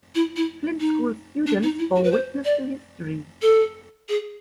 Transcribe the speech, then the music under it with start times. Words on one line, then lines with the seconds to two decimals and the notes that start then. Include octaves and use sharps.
Flint School students bore witness to history.
0.15 E4
0.36 E4
0.80 D#4
1.47 D4
1.63 D#4
1.79 E4
1.96 F#4
2.04 B4
2.12 C5
2.45 D5
3.42 A4
4.09 G#4